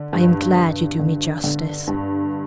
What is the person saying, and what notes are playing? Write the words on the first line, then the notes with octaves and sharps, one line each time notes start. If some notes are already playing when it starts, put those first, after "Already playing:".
I am glad you do me justice.'
Already playing: D3
G2
G2
D3
D3
G2